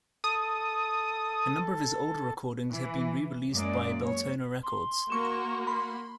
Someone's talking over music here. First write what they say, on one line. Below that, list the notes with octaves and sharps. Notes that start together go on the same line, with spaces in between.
A number of his older recordings have been re-released by Beltona Records.
A4 D#6
E3
F#2 G#3 A#3 D5
C#5
C6
A#3 F#4 C#6 E7
B5 C6